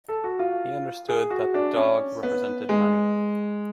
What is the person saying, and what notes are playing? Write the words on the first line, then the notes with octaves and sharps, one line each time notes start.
He understood that the dog represented money.
A4
F#4
F4
G#4
F#4
D4
C#4
B3
G#3